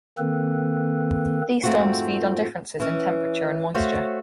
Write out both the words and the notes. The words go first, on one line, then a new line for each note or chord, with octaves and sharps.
These storms feed on differences in temperature and moisture.
D#3 A#3 C4 A4 B4
F2 G#2 A3 C4 F4 F#4
E3 C#4
A3 F#4 C5 C#5 F5 G5